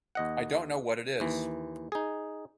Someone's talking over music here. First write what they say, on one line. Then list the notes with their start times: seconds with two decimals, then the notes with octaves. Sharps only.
I don’t know what it is.
0.15 D#2 D#5 F#5
1.20 D#2 E3
1.92 D#4 G#4